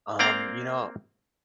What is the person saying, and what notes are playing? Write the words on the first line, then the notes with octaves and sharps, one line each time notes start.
Um, you know
A#3 C4 D5 F5 G5 A#5